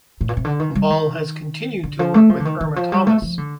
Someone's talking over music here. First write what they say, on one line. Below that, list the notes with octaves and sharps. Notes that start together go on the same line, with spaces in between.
Ball has continued to work with Irma Thomas.
A2
A#2
C3
D3
D#3
G3
D#3
D3
F3
A3
F3
D3
D#3
D#3
F3
G3
A3
F3
D3